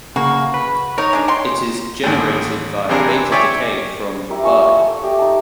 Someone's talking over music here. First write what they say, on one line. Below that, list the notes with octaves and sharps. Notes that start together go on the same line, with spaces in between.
It is generated via beta decay from Bi.
C#3 A#3 F#4
B4
D#4 A#4 C#5
G#3 D4
C#5 G5 C6
A1 D#2
C3 E3 C4 D4 G#4 A#4
C#5 D5 E5 G5 G#5 C#6
E4 G4 A#4
F4 G#5 C#6 E6
A3
G4 D#5
D#4 A5